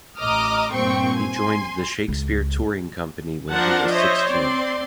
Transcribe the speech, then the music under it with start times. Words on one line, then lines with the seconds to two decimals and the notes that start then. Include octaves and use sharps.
He joined the Shakespeare Touring Company when he was sixteen.
0.18 A1 D#5 A#5 D6 D#6 F6
0.72 G2 A#2 C4 G5 C6 C#6
1.16 G#5 C6
2.08 C#2
3.51 F3 D4 A#4 C5 F#5 A5
3.92 C5 C#5 D#5 E5
4.29 C4 D5 C6